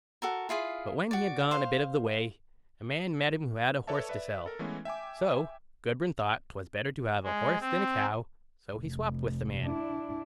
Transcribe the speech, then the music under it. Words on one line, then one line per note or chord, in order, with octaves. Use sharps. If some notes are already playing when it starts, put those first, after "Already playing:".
But when he had gone a bit of the way, a man met him who had a horse to sell, so Gudbrand thought 'twas better to have a horse than a cow, so he swopped with the man.
F#4 A4 A#4
E4 F4 G#4 F5
F#4 D5
C5 F5
A4 B4 C#5 D5 E5 A5
B4 D5 E5
A4 A#4
E3 G#3 A3 B3 C#4 E4
E5 G5 G#5 D6
G#3
C4
F1
D4 E4